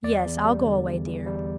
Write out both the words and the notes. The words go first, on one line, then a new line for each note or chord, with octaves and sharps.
'Yes, I'll go away, dear.
E2 D5
E2
G3
D3
E2
E2
G3